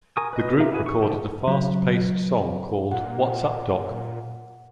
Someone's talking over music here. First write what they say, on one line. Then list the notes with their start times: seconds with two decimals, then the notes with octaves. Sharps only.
The group recorded a fast-paced song called What's up, Doc?
0.17 A#4 G#5 C#6 D#6
0.33 B4 D#5
0.60 F4 G4 A#4 E5
0.72 E4 F#4 G#4 B4
0.86 C#6
1.02 D3 D#3 F3 A3 G4
1.47 C#3 F#3
2.91 A#2 F#5